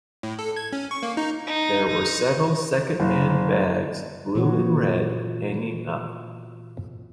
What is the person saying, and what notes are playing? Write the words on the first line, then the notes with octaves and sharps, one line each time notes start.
There were several second-hand bags, blue and red, hanging up.
A2
A4
G#6
C#4
C#6
A#3
D#4
D#4
D#4
F#1
A#2 E3 F4 F#4 C#5